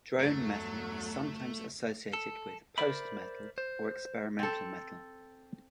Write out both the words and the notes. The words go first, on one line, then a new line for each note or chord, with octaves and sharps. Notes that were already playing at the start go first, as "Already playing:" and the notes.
Drone metal is sometimes associated with post-metal or experimental metal.
E2 G2 F#3 A3
A4
A#4 C5 D5 E5 B5
C5
C4 A4